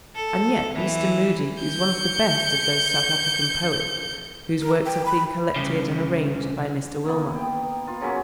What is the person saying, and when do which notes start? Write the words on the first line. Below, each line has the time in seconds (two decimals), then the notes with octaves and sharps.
And yet Mr. Moodie is one of the best of those South African poets whose works have been collected and arranged by Mr. Wilmot.
0.15 A4
0.74 E3
1.63 G6 C#7
4.61 A#4
4.85 G5
5.06 B5
5.56 C2 C#3
7.05 A#3 B3
7.36 G5
7.87 F4
8.01 C#3 F#3 A#3 C#4